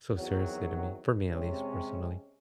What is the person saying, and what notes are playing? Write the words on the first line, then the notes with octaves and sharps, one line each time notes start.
so seriously to me for me, at least, personally.
E2 C3 D#3 F#3
C3 G#3 C#4